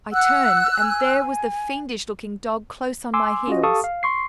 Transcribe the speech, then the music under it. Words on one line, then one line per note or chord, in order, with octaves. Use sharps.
I turned, and there was the fiendish-looking dog close on my heels.
F#5 E6 F#6
G#5
G#5 C6 D6 E6
C#4 F4 F#4 D#5
G4 A4 F5 A5 C#6 D#6
F5
C6 C#6 C7